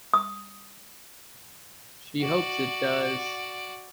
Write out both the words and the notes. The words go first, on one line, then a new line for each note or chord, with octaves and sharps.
She hopes it does.
D#6
F#4 D5